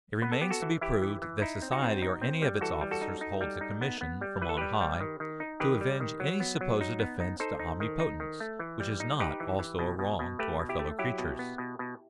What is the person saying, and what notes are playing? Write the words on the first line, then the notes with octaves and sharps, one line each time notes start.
It remains to be proved that society or any of its officers holds a commission from on high to avenge any supposed offence to Omnipotence, which is not also a wrong to our fellow-creatures.
B3 B4
A4
B3 G4
F#4 A4
E3
E3 E4 G4
E3
E3
D#4 E4
C4
D#4 F#4
C4
D#4
C4
G3
E3 F#4 A4
G3
F#4 A4
D#4
D#4
G3
D#4
B3
B3
G3
E3 B4
A4
G3 G4 B4
G3
D#3
D#3
D#4
D#3 G4 B4
G3
D#3
F#3
B3
F#3
D#4
B3
D#4
D#4 A4 C5
D#4
D#3
D#4
D#3
A3
E3
G3
D#4
D#4 G4 B4
E3
E3
B2
B2
B2
A3 G4 B4
B2
E4 G4
A3
F#3 E4 G4
B2
B3
B2
B2